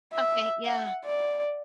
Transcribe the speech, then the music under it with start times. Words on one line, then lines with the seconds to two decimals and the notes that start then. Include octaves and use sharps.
Okay, yeah.
0.13 E5
0.65 F#5
1.05 D5